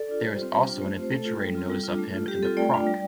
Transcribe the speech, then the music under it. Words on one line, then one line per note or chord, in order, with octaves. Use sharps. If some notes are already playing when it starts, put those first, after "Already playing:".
There is also an obituary notice of him in the Proc.
Already playing: A4 D5
D4 F4
G3 G4 C5
C4 F4
G3
D4 F4
A3
C4 F4
C5
A3 A4
F4
G3
C4 F4
G3
D4 F4
A3
F4
G3 G4
C4 F4 A4
A3 D5 G5
D4 F4
G3